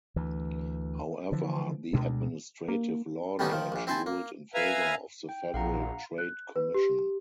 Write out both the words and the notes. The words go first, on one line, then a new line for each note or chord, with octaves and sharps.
However, the Administrative Law Judge ruled in favor of the Federal Trade Commission.
D2 E3
D3 E3 F3
D2 B2 G#3 D4
A#3
A2 D#3 G3 B3 C#4 D#4
D#3 F3
A#1 A#2
C4 E4 C5 G#5 A5
A#3
B4 E5 F5 G#5 A#5
G5
A#1 F5 F#5 A#5
F#6
B4
G4